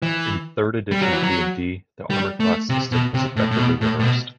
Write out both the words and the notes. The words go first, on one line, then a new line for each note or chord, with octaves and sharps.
In third edition "D and D", the armor class system was effectively reversed.
E3
G3
F#3
E3
F#3
G3
A3
C3
B2
C3
A2
A2
B2
A2
A2
B2